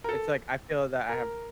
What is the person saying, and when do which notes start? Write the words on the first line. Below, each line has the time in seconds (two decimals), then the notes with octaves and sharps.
It's like, I feel that I have
0.04 A#4
0.09 A4
1.09 A#4